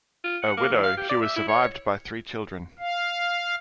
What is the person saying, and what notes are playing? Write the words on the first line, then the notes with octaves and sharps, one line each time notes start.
A widow, she was survived by three children.
F4
F#5
A#3
E3
F5
G4
D5
E5
E4
C#5
F5